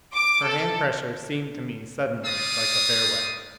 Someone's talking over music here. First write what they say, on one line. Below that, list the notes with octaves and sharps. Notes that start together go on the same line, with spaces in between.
Her hand pressure seemed to me suddenly like a farewell.
D6
A4
G3 G#3 D5 F5 D#6